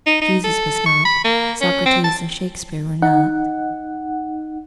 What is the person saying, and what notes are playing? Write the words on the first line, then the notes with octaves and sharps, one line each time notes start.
Jesus was not; Socrates and Shakspeare were not.
D#4
D#4
A4
C#6
B5
A#3
C#4
C4
A5
D#4 F#5